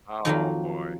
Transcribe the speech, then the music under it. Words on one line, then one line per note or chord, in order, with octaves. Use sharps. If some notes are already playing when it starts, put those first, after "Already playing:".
Oh, boy.
F2 D#3 F#3 A#3 D#4